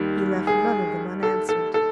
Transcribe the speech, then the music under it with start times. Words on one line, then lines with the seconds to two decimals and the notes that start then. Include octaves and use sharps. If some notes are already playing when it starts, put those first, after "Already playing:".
He left none of them unanswered.
Already playing: D#2 D#3 G3
0.47 G#4
1.23 A4
1.49 A4
1.74 A4